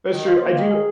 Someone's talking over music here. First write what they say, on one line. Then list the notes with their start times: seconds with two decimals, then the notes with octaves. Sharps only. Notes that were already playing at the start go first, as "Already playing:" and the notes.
That's true. I do
0.11 D#3
0.25 F4
0.40 A#3
0.55 D#3
0.70 G#4